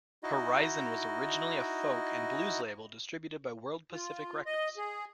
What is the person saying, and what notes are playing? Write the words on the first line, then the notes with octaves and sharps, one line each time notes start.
Horizon was originally a folk and blues label distributed by World Pacific Records.
D#4 E4 F#4 D#5
F4
D#5
G#4